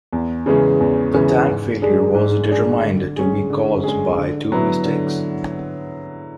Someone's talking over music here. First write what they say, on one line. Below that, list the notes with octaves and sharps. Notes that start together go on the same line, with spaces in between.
The tank failure was determined to be caused by two mistakes.
E2
C#3 E3 G#3 C#4
E2
C#3 E3 G#3 C#4
G#2
G#3 D4 G#4
G#2
G#3 D4 G#4
D3
G#3 C#4 G#4
D3
G#3 C#4 G#4
D3
F#3 B3 E4
D3